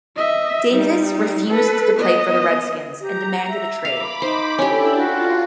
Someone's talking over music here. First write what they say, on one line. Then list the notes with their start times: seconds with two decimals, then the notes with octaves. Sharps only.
Davis refused to play for the Redskins and demanded a trade.
0.17 D#5 E5
0.71 G3 D#4
1.47 A4 B4
1.98 B3 D#5
3.01 G4 A#5
3.49 E5
3.85 F5 B5 D6
4.22 D#4 C5
4.59 C#4 D4 E4 G4 A4
4.94 F4 F#4